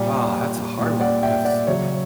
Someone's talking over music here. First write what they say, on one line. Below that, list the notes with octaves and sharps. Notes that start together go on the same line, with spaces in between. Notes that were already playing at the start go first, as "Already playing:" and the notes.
Ah, that's a hard one because
Already playing: A#2 G3 D5
A#2 G3
D5 F#5
E5 G5
D5 F#5
C#3 F#3 C#5 E5